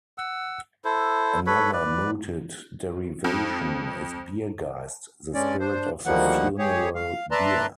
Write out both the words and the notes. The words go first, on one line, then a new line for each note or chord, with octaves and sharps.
Another mooted derivation is "Bier-Geist", the "spirit of the funeral bier".
F#5 E6
E4 A4 C5
A4 B4 C#5 B5
B4 D5
F2
G2 G#3 C#4 D5
D4 C5
D2 D#3 F3 G3 A#3 F#5
G4 G#4 C#5
F5
B4 D5 E5 A5 A#5 C6